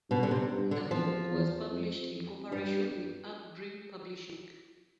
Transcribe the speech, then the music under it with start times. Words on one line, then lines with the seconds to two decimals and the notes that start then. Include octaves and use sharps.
The book was published in cooperation with Arc Dream Publishing.
0.10 G2 B2
0.23 D3
0.31 C3
0.51 G2
0.71 D3
0.91 E2 F3
1.31 E2
1.72 F2
2.12 F2
2.51 G2 G3